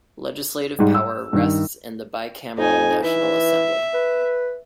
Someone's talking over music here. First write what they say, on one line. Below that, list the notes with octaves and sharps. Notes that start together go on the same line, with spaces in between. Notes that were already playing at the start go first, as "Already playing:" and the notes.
Legislative power rests in the bicameral National Assembly.
G#2 G3
E6
G2 D#3
F2 D#4 G#5
E3 E5
B4